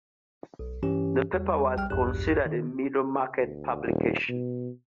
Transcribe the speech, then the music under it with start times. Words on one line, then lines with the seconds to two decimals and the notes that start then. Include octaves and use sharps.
The paper was considered a 'middle-market' publication.
0.59 B1
0.83 G2 E3 C#4 G4
1.33 E2 G3
1.76 A#1 G3 G5 F6
1.90 A#1 E2 G2 G4 F#6
2.46 D#3
3.39 D2
3.84 D#1
4.29 B2